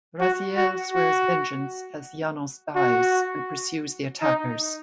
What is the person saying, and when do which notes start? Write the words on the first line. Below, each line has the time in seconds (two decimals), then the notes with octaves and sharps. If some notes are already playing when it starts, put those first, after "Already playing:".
Raziel swears vengeance as Janos dies, and pursues the attackers.
0.21 F#4
0.57 F#4
0.94 F#4
2.76 F#4
4.22 D#4